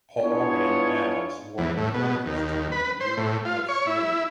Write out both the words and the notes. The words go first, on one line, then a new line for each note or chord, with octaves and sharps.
Paul ran ads warning voters to be "leery of Sneary".
B3 D4 E4 F4 G#4 C#5
E2
A2
B2
D#2
B4
C5
A2
F4
C#5
E4